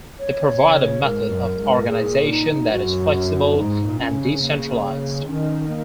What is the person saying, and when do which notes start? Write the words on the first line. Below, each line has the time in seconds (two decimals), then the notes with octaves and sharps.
They provide a method of organization that is flexible and decentralized.
0.19 C#5
0.61 C#3
1.03 G#2 A#4
1.31 F#2
1.59 G#2
1.88 A#2 G#4
2.30 D#4
2.72 F#2 F#4
3.57 G#2 D#4
3.85 A#2
3.99 C#4
4.14 C#3
4.41 C#3 A#3
5.26 D#3 C#4
5.68 A#3